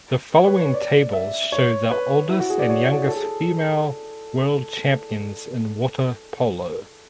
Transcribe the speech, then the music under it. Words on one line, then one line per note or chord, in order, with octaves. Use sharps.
The following tables show the oldest and youngest female world champions in water polo.
C#5
B4
C#5
D5
E5
C#5
B4
E4
F#4
G#4
D5
C#5
A4
G#4
A4